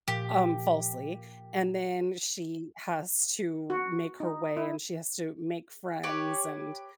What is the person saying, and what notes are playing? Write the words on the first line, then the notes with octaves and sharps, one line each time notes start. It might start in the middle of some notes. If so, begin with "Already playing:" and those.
um, falsely and then she has to make her way and she has to make friends and,
A#2 F3 G4
F#4
D#4
E4
G4 B4 C#5